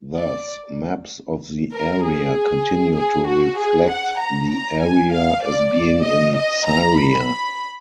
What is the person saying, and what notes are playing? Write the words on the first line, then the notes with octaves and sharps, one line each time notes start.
Thus, maps of the area continued to reflect the area as being in Syria.
D5
A#4
G#4
G#4
F#4
G#4
F#5
A#5
A#5
G#5
F5
D5
D5
D#5
D#5
A#5
B5